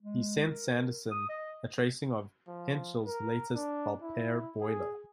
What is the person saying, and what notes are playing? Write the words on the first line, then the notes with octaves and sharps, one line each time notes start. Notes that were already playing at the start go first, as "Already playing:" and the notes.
He sent Sanderson a tracing of Henschel's latest Belpaire boiler.
G#3
A#4
D#6
D#5
F3
A#4
D4
E4
G#4